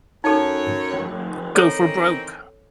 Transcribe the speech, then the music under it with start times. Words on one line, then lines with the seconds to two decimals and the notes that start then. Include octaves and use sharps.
Go for Broke!
0.24 F#2 D#4 A4 C#5
1.55 D#3 E3 C4 A4 C#5